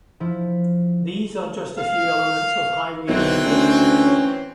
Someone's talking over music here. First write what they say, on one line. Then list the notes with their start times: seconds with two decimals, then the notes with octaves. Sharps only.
These are just a few elements of highway engineering.
0.20 F3 E4
1.78 F5
3.09 B1 E3 F#3 C4
3.46 D2 C#4